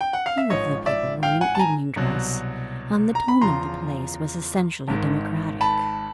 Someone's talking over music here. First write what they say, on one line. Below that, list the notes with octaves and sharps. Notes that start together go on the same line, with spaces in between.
Few of the people were in evening dress, and the tone of the place was essentially democratic.
G5
F#5
F5
E5
A1 G#2 F3 C#5 D#5
D5 E5
F5 G5
F#5 G#5
A5
G#5 A#5
C2 B2 F#3
A#5
B5
E2 C#3 F3 A#5 C6
G#1 G#2 D#3
A5 B5